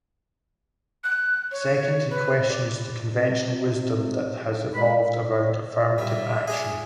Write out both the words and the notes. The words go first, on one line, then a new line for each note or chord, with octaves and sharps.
Second, he questions the conventional wisdom that has evolved around affirmative action.
F#6
C#5
B4
D5
C3
C#2 G#3 B5
G3 F4 E5
D4 G#4